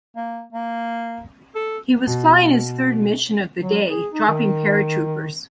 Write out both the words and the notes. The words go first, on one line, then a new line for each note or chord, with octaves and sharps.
He was flying his third mission of the day, dropping paratroopers.
A#3
A#3
A4
B2
F#3
G#4
D#4
D#3